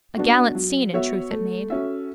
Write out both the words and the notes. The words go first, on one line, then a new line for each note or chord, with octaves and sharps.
A gallant scene in truth it made.
B3 D4 F#4
F#3
B3 F#4 C#5 E5
A3
C#4 F#4 A4 E5